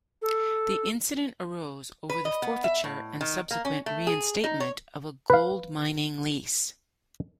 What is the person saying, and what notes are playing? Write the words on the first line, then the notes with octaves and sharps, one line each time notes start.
The incident arose over the forfeiture and subsequent reinstatement of a gold mining lease.
A4
B4
D#5
B3
E5
A2
D#3
A#3
C#4
A3
G#4
D#4
C#5
B4 F5